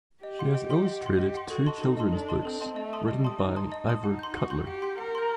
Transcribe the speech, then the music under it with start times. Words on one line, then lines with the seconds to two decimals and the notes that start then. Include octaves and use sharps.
She has illustrated two children's books written by Ivor Cutler.
0.23 G4 D#5
0.39 F#5 C6
0.55 D#5
0.70 F#5 C6
0.87 D#5
1.02 F#5 C6
1.18 G4 D#5
1.35 F#5 C6
1.50 F#4 A4
1.66 D#5 A5 C6
1.82 D#4 A4
1.97 D#5 A5 C6
2.13 D4 A4
2.29 D#5 A5 C6
2.45 C4 A4
2.61 D#5 A5 C6
2.76 A3 D#5
2.93 A5 C6 D#6
3.08 G3 D#5
3.24 A5 C6 D#6
3.39 D#4 D#5
3.56 A5 C6 D#6
3.72 D#5
3.87 A5 C6 D#6
4.03 D#4 F#5
4.19 C6 G6
4.34 F#4 F#5
4.50 C6 G6
4.67 G4 F#5
4.82 C6 G6
4.98 A#4 F#5
5.15 C6 G6